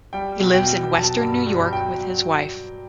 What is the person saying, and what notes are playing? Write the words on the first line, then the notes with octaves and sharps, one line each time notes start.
He lives in western New York with his wife.
G3 G5
B2
G5
B2
F#3 A5
G2
G2
F#3 G5